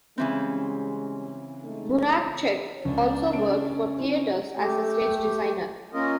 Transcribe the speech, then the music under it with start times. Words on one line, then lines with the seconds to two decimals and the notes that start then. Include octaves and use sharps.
Burachek also worked for theaters as a stage designer.
0.18 C#3 E3 G3 G#3 C4 C#4
1.65 G#3 A3 D#4
2.85 C#2 C#3 C#4 D4
3.29 A#4 A5 D7
3.99 C4 D#4 E4 C5
4.57 A3 G4
5.93 A#3 C#4 F4 A#4 D#5